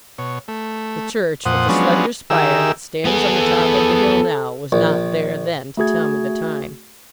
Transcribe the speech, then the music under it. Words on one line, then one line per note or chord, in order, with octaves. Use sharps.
The church with the slender spire, that stands on the top of the hill now, was not there then to tell me the time.
B2 C#5
A3
F2 A#2 C5 F#5 D#6
F3 F#3 G#3 B3 C#4 D4
D#3 G4 G#4 A#4 E5 E6
B3 G#4 A4
A#1
A3 F#4 G#4 G#6